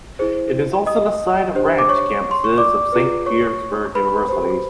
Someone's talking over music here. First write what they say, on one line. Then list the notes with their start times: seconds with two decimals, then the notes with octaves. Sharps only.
It is also the site of branch campuses of St. Petersburg Universities.
0.19 E4 G#4 C5
0.86 D#5 D#6
1.55 D4 G4 C5
1.78 D6
1.89 C#5 C#6
2.31 C6
2.44 C#6
2.58 D5 D6
2.92 F4 G#4 B4
3.26 C#5 C#6
3.95 B4 B5
4.29 G4 C5